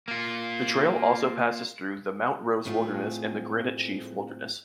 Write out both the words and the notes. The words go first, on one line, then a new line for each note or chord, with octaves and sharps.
The trail also passes through the Mount Rose Wilderness and the Granite Chief Wilderness.
A#3 F4
A2 A3 C4 E4 F4 G#4